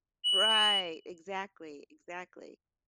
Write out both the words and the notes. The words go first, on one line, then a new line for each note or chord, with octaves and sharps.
Right. Exactly, exactly.
F#7